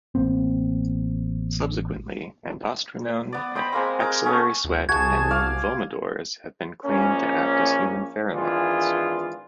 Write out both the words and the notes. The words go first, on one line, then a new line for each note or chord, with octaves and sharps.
Subsequently, androstenone, axillary sweat, and "vomodors" have been claimed to act as human pheromones.
A1 A#3 C4
B3 D5
C5 D#5 G5 B5
G#3 A#3 C4
G#4 A#4 D#5 D6
A3 B3 C#4 G#4
D2
C2 F#4 G#4 G#5 A5 G#6
D5 F5
A#1 A#3 C#4
G#1 E3 D4 F4 G#4